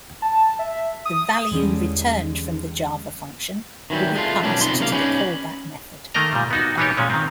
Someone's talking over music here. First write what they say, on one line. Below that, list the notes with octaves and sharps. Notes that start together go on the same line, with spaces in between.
The value returned from the java function will be passed to the callback method.
A5
E5
D#6
E2 D3 E3 G3 G#3 C#4
D#3 E3 F#3 G3
G#3 A3 F4
B2 D#3 F#3 C#4 D4
C3 F3 B3 D#4 C6
B1 E2 C#3 A#3 F5
C#4 D#4 G#4 B4 C#5 D5
D#3 A3 A#3 A#4 D#5 A#5
A#2 G3
B3 D#4 F#4
E3 A#3 B3 D#4 G4 C#5
A#2 G#3 C#4
D#3 C4